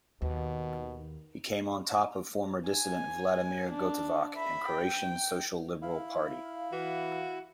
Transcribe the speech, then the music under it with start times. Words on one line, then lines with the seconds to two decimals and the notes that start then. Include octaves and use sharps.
He came on top of former dissident Vladimir Gotovac and Croatian Social Liberal Party.
0.22 D#2 B2 D#3
2.69 G#5
3.72 D4
4.35 E5 B5
4.69 G5
5.82 E4 F5
6.72 E3 F#4